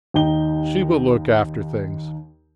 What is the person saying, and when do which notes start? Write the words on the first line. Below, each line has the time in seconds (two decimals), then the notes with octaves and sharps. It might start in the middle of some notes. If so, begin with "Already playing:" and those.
She will look after things.
0.14 D#2 D#4 G5 G7